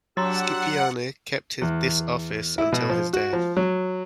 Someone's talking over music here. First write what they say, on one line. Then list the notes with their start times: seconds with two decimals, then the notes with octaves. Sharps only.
Scipione kept this office until his death.
0.17 F#3 D4 G4 F#5 A#5 C6 E6 A6
1.62 E2
2.58 E4
2.72 B2
2.90 F3
3.13 F#4
3.33 F3
3.57 F#3